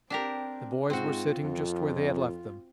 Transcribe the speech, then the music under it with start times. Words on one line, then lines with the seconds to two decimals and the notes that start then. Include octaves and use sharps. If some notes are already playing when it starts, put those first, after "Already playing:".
The boys were sitting just where they had left them.
0.10 C4 D4 G4 A#4
0.90 G#2 C4 F4 F#4
1.42 F2